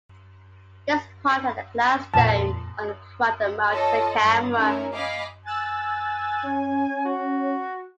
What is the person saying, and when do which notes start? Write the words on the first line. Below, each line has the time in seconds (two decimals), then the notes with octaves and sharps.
This pod had a glass dome on the front and mounted a camera.
2.14 F2 A#2 A5
3.72 F4 A4 C#5 D#5
4.20 G2
4.55 A3 C#4 D#4 E4 A#4
4.93 D#5 F5 G#5 B5 D6
5.46 G#5 E6 F#6 A6
6.43 C#4
7.05 F#4